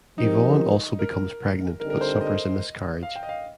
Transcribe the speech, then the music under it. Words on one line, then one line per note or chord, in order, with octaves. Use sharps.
Yvonne also becomes pregnant, but suffers a miscarriage.
F3 C4 D#4 G4 A#4
A#4
D3 G3 C4 D#4 A4 A#4
A#4
C5
D#5
F5
G5
D#5
F5